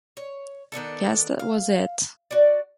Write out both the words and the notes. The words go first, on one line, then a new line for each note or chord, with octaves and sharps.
Guess that was it.
C#5
D#3 B3 D4 A4
F5
F#4 D5